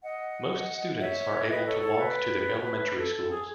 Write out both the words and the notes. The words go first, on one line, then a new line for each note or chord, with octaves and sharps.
Most students are able to walk to their elementary schools.
D#5 F#5
C#5 E5
B4 D#5
A4 C#5
A4 C#5
B4
A4
A4
G#4